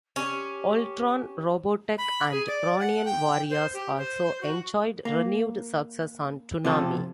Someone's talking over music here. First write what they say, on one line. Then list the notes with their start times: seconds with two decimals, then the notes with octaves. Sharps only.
"Voltron", "Robotech" and "Ronin Warriors" also enjoyed renewed success on "Toonami".
0.16 C#4 G4
1.98 B5
2.31 G#4
2.47 D5
2.79 F#5
3.05 G5
3.50 C5
3.74 G4
3.97 C5
4.41 F#4
5.05 A#3
6.65 C3 F3 A4